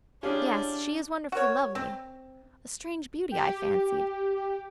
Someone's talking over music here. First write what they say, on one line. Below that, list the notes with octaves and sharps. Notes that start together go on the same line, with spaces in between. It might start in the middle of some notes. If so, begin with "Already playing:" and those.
Yes, she is wonderfully lovely--a strange beauty, I fancied.
C#4 D4 E4 F4 G4 G#4
F#4 A#4 C#5
C4
G4